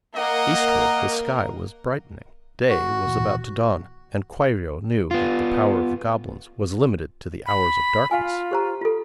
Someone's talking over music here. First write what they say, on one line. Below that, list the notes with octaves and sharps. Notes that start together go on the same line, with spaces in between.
Eastward the sky was brightening; day was about to dawn; and Kwairyo knew that the power of the goblins was limited to the hours of darkness.
A#3 A#4 D#5 F#5
F#4
D2 A#2 E3
B3 F4
B5
F4 F5 G#5
G4 C5 A#5
F4 A4